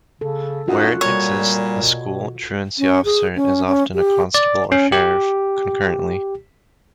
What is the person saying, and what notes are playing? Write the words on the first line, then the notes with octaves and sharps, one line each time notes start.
Where it exists, a school truancy officer is often a constable or sheriff, concurrently.
C#3 A4
F#2 D#4 F4 F#4 F#5
A#2 G3 C#5
B2
C#4
G#4
C#4
C#4
G4
D5
C#4
G4